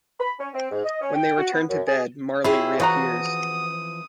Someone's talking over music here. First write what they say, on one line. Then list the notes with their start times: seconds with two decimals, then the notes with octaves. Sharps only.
When they return to bed, Marley reappears.
0.20 B5
0.39 C#4
0.54 C4
0.71 G#2
0.85 D#5
1.01 C#4
1.15 G5
1.38 F#4
1.52 B3
1.69 F#2
1.88 G#4
2.44 E4 F4 G#4 C#5 E5 G5
2.80 C#3 E3 F3 F#4 A#5 D#6